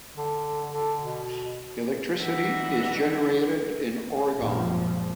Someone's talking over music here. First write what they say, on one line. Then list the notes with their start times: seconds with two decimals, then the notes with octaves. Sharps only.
Electricity is generated in Oregon.
0.17 D3
0.70 D3
1.04 B2
2.20 E3 G3 D#4 E5 F#5 A#6
4.41 G#1 F#2 A#2 F3